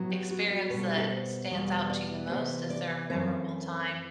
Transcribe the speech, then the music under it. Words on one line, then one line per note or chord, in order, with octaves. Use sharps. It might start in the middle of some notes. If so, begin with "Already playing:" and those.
experience that stands out to you the most? Is there a memorable time
Already playing: A2 F#3 B3
G4
F#4
G4
B2 G3 B3 B4
A4
G4
A4
C5
E2 B2 G3 B3
D5
C3 E3 B3 C5
D5
F#2 E3 A3 C4 C5